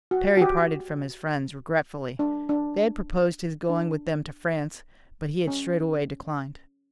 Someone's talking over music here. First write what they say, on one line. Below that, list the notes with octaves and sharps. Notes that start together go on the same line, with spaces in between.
Parry parted from his friends regretfully; they had proposed his going with them to France, but he had straightway declined.
F#4
F#4
G4
D4
D4
D4
C#4